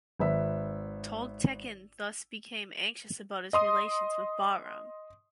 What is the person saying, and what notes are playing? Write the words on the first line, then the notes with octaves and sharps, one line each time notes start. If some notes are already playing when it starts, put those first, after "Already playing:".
Toghtekin thus became anxious about his relations with Bahram.
G#1 B4 E5
D#5 C6 D#6